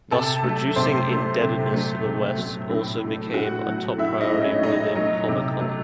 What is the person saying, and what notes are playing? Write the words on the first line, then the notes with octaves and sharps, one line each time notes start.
Thus, reducing indebtedness to the West also became a top priority within Comecon.
C3 A4 A5
F#3 A3
C3 C5 C6
F#3 A3
C3
F#3 A3
C3
F#3 A3
A2
F#3 A3
A2 F#4 F#5
F#3 A3
A2 E4 E5
D#4 D#5
F#3 A3
C#4 C#5
A2 D#4 D#5
F#3 A3
C3
F#3 A3